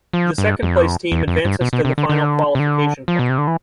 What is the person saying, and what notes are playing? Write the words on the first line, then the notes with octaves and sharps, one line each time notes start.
The second place team advances to the Final Qualification Tournament.
F3
G2
F2
E2
F2
G2
B2
B2
C3
D3
D3
C3
D3
F3
B2
C3
D3
E3